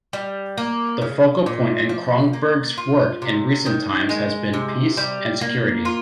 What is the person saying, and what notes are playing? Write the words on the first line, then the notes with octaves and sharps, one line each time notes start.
The focal point in Cronberg's work in recent times has been peace and security.
G3
A#3
C#3
A#2
F3
A#3
F4
C3
D#3
G#3
C3
G3
A#3
F4